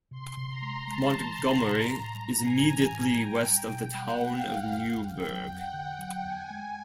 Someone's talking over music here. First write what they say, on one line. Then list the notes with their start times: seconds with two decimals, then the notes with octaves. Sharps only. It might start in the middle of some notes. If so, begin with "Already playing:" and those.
Montgomery is immediately west of the Town of Newburgh.
0.11 C3 C6
0.37 C3
0.49 A#5
0.62 G#3
0.87 G#3 A5
1.13 E3
1.26 A5
1.39 C3
1.64 A2 A#5
1.90 A2
2.15 G3
2.41 A2 G#5
2.67 E3
2.92 A2
3.17 G3 G5
3.43 G3
3.69 B2
3.94 G3 F#5
4.20 A#3
4.33 F5
4.45 G3
4.71 F2
4.96 F2
5.10 G5
5.22 F#3
5.47 F2 F#5
5.73 D3
5.99 F#3
6.24 E2 G#5
6.50 G#3